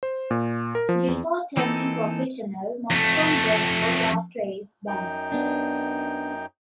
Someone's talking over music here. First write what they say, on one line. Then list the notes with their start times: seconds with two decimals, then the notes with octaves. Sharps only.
Before turning professional Moxon worked for Barclays Bank.
0.03 C5
0.31 A#2
0.75 A#4
0.89 F3
1.08 E2
1.57 E3 A#3 C4 D#4 G#4 A4
2.91 F2 A3
4.87 F#2 D#4 G5
5.32 B3 D4